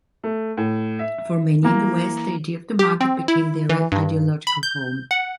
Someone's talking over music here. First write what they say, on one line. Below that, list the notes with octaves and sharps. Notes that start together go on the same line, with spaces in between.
For many in the West, the idea of the market became their ideological home.
A3
A2
E5
E3 A#3 A#5
G4
C4
E4
E3
G2
B5
G6
F#5